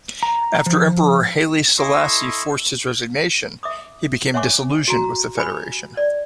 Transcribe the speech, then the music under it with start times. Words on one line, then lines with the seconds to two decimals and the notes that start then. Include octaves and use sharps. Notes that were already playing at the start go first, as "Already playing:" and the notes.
After Emperor Haile Selassie forced his resignation he became disillusioned with the Federation.
0.23 A#5
0.66 F3
1.78 E4 A4 D#5 C6 C#6 E6
3.63 E5 D6 D#6
4.34 C#5 E5 F#5 G#5 C#6 D6
4.88 F#4 A#5
5.35 G4 G#5 B5
5.97 D5